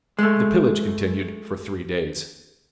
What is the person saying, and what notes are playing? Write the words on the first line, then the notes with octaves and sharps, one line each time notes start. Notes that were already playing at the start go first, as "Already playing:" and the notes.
The pillage continued for three days.
G#3 A3